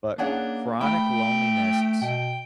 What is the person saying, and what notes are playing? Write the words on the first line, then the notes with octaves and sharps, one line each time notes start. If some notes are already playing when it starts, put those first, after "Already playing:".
But chronic loneliness
A#3 C#4 D4 G#4 F#5
A3 G5 B5
B2 G5